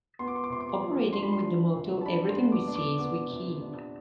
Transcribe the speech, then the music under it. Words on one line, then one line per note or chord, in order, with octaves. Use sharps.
Operating with the motto Everything we seize, we keep.
B3 C6
D6
C6
D6
C3 C6
D6
C6
F3
D4 C6
B5
C6
F3
C3
A5
D4 B5
C6
B3
D6
D4
D6
B3 D6
C3
D4